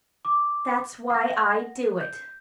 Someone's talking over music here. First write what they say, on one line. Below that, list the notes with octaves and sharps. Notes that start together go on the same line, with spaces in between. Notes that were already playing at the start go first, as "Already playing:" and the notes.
"That's why I do it."
D6
F#5 A#6
G6